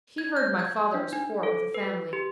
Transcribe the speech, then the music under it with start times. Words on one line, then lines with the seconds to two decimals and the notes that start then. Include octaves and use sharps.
He heard my father was poor, with a family.
0.18 G#6
0.36 G6
0.59 G#6
0.94 D4
1.13 D#4
1.43 A4
1.74 B4
2.13 G4